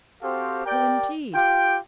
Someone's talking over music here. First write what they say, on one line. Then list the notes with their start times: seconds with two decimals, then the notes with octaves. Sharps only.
'Oh, indeed!
0.22 C4 F#4 G4 A4 C5 F5
0.65 G4 A#4 D5 G5
1.34 F4 G4 G5